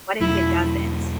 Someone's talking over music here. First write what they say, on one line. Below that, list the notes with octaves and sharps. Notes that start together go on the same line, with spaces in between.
what if it doesn't?
E2 B2 F#3 A3 E4